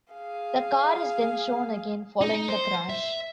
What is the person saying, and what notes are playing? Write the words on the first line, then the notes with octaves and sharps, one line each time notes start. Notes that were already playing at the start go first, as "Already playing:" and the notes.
The car is then shown again following the crash.
G#4 F5
D#4
C5
E5